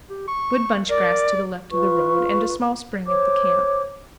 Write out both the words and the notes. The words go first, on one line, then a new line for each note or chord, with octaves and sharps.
Good bunch-grass to the left of the road, and a small spring at the camp.
G4
C#6
A#4 D5
F4 B4 C#6
C5 C#5 D6